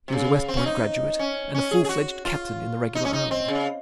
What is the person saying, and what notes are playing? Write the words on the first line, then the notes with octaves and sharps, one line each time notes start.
He was a West Point graduate and a full-fledged captain in the regular army.
C3
C#3
C4
C#4
D#4
C#4
C#4
G#4
G#4
F#4
F4
D#4
C#4
D#4
C4
C#3